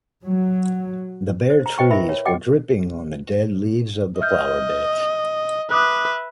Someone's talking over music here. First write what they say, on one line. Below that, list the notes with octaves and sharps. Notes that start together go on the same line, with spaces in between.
The bare trees were dripping on the dead leaves of the flower beds.
F#3
C5
A#5
B4 C5 D#5 G5 C#6
E4 A#4 E5 B5
C#5
F#4 D#5 F#5 G5 D6
D#5 E5 F6 G6
B4 E5 D6 D#6 F#6